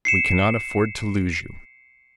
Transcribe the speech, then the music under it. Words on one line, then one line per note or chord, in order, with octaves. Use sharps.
We cannot afford to lose you.
C7 C#7 E7